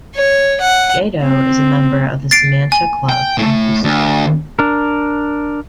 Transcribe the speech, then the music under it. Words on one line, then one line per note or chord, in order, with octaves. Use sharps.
Gado is a member of the Samantia Club in Houston.
C#5
F#5
C4
A6 C7 D7
G#5
G5
A2 A3
D2
D4 A#4